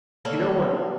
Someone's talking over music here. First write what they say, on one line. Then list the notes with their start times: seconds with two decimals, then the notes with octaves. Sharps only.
You know, one
0.25 A#3 A4 C#5 D5